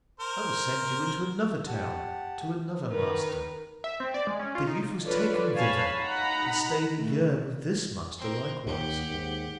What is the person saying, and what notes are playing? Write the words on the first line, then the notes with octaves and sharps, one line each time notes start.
I will send you into another town, to another master.' The youth was taken thither, and stayed a year with this master likewise.
A#4 C5
G4 F#5 A5
D#3 B4
E5
C4
D5
G#3
C#4
F4
D#4
D4 F4 A4 B4 C#5 D5
C#5 F5 G#5 A5 B5
D#4 F#5 A#5 B5
A3
C4 A#4
D#2 G4 F#5
D#2 G#2